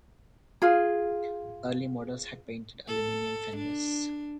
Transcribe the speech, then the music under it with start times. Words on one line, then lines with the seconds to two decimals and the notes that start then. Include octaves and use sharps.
Early models had painted aluminum fenders.
0.62 F4 G#4
2.87 A4
3.57 D4